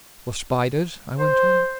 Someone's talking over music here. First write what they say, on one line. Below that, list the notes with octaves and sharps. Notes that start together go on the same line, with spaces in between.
"Or spiders?" I went on.
C5